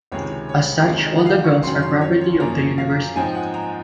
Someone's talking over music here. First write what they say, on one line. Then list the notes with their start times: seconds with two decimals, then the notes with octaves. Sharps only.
As such all the grounds are property of the University.
0.12 C#2 C3 D#3 G#3 C#5
0.49 C#5
0.87 C3 D#3 G#3 C#5
1.06 D#5
1.18 F#5
1.26 F5
1.44 C#6
1.63 F#2 D#3 F#3 C#4 C6
1.82 C6
2.01 C#5
2.21 C#5
2.40 F#2 F3 A#3 C#4 A#5
2.78 F5
3.16 G#2 F3 C4 D#4 G#5
3.35 F#5
3.54 A#5